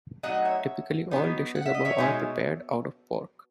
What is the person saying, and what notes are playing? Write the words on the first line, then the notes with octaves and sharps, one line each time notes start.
Typically all dishes above are prepared out of pork.
F#3 A3 D#4 D#5 F#5
C#5 E5
F#3 B3 D#4
F#5
E5
D#5
C#5 E5
B2 G#3 D#4